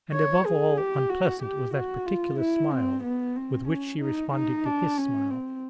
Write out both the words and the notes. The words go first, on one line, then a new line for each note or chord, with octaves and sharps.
And, above all, unpleasant was that particular smile with which she responded to his smile.
C#5
G#4
G4
F#4
G4
F#4
F4
E4
C4
B3
C4
C#4
D#4
D#4
D4
C#4
C4